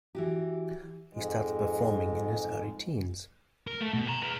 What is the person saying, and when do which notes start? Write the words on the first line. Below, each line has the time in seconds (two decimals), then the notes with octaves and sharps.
He started performing in his early teens.
0.15 E3 F#4 G4
1.13 F2 G#2 G#3
3.67 A#4
3.81 A3
3.94 B2
4.07 G5 A#5
4.23 G#4 B4